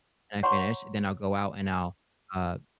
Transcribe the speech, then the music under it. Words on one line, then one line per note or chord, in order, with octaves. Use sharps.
and I finish, then I'll go out and I'll, uh,
C#5 F#5 A#5 C6 C#6